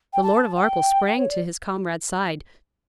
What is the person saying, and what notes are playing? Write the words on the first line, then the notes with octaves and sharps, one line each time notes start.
The Lord of Arkell sprang to his comrade's side.
G5
A5
G5
C#5
D5